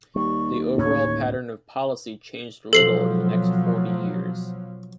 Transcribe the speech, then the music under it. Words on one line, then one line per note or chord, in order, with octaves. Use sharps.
The overall pattern of policy changed little in the next forty years.
D#2 G3 C#6
D1 A2 C#4 C#5
B2 F3 F#3 A4 C7 F#7